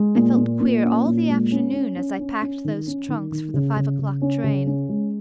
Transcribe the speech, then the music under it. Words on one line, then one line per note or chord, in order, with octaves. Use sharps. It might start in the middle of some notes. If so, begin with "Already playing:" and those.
I felt queer all the afternoon as I packed those trunks for the five o'clock train.
Already playing: G#3
A#2
A#2
A#2
C#4
A#2
G#3
C#4
C#4
C#4
C#4
C#4
D#3
C#4
D#3
D#3
C#3
C#3
C#3
C#4
C#3
C#4
G#3